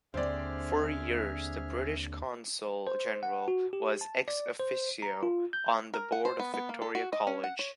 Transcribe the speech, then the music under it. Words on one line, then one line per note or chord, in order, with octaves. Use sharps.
For years the British Consul-General was "ex officio" on the board of Victoria College.
D#2 D3 C4 G#4 C5 D5 E5 F6
C5
F#5
F#4
G4
A5
D5
C5
A#5
F4
G6
A#4
F#5
C5
B3
B3
A#3
A4
F#4
D#5
C#4
F#5
C#5